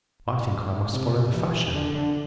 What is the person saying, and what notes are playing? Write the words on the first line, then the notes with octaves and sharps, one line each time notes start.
I think I must follow the fashion.
C3
E3
D3